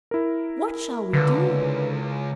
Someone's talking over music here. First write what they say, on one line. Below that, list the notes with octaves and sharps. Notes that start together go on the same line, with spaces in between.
What shall we do?
E4 A#4
C#2 D3 B4